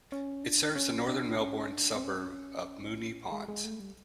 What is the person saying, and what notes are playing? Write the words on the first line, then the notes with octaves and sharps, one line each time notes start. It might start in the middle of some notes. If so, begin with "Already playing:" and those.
It serves the northern Melbourne suburb of Moonee Ponds.
C#4
D4
C#4
D4
C#4
D4
C4
C#4
G#3
G#3
A3
G3